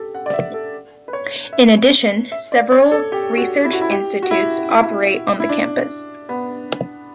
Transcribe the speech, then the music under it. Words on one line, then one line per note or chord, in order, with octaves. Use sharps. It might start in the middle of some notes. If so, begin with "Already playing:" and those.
In addition, several research institutes operate on the campus.
Already playing: G4 A4
F#5
D5
E5
A4
B4
C#5
E5
E5
D5
C#5
A4
G4
F#4
E4
F#4
E4
G4
F#4
E4
E4
E4
D4
B3